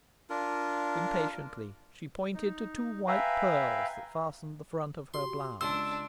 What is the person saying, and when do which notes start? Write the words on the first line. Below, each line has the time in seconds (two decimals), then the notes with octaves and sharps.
Impatiently she pointed to two white pearls that fastened the front of her blouse.
0.30 D4 F4 A#4
2.34 D#4
3.07 B4 E5 F5 G5 G#5 A#5
5.14 F#4 G4 C6
5.61 C#2 D4 C6 E6